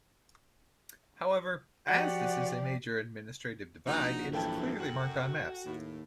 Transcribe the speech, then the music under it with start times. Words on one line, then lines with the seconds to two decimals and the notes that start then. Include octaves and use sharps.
However, as this is a major administrative divide it is clearly marked on maps.
1.88 F3 F#4 G4 D5 F#5
3.87 A#1 D#4 F#4
4.33 F#2 E3 G3 E4 A4 G5 A5
4.80 F#4
5.65 D#2 A2